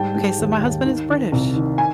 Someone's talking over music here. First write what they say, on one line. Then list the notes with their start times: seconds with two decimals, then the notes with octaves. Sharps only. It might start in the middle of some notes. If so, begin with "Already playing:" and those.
Okay, so my husband is British,
Already playing: G#2 G3 G5 A5
0.16 G3
0.39 D#2
0.61 D#2
0.85 D#3
1.09 D#3
1.32 C2
1.54 D#3
1.78 G#5